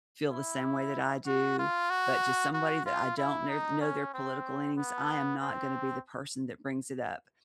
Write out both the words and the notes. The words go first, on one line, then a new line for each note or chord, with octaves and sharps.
feel the same way that I do, but to somebody that I don't kne know their political leanings, I am not gonna be the person that brings it up.
E4
F#4
F4
F#4
F#4
F4
E4
D#4
C#4
C4
B3
C4